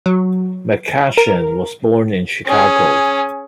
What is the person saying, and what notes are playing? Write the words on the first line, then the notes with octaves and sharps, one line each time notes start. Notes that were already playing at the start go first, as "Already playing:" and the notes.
McCashin was born in Chicago.
F#3
A#4
C#4 G#4